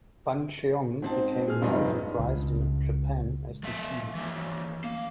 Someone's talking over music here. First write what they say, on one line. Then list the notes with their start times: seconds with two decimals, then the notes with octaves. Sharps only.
"Buncheong" became known and prized in Japan as Mishima.
1.02 G#2 C4 A5
1.48 G#4 F6
1.62 F1 G2 G3 D#4 F4 D#5
2.19 C#2
3.64 G#3 E5
4.15 E3 A#3
4.84 A#3